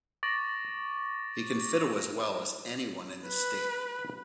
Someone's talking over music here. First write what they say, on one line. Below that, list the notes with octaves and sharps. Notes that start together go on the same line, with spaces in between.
He can fiddle as well as anyone in the State.
C#6 D6 A6 A#6 D7 F#7
B4